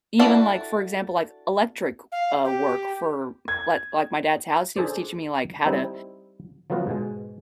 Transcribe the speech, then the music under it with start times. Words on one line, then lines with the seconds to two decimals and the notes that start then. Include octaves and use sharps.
even, like, for example, like, electric, uh, work for like like my dad's house, he was teaching me, like, how to
0.19 D4 E4 F#4 A4
2.12 F5
2.45 G4
3.48 G#6
4.76 D4 G#4 A4 C5 D5
5.66 G3 C4 D#4 E4
6.70 F3 F#3 A3 B3 F4 F#4
6.87 G#2 B2 G#3